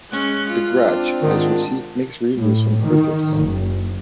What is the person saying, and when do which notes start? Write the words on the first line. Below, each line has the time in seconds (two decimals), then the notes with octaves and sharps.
"The Grudge" has received mixed reviews from critics.
0.11 G#3 C#4 F#6
0.49 F4
0.82 C4 D4
1.22 G#2 D#3 F4
2.36 A2
2.84 D#3
3.38 F#1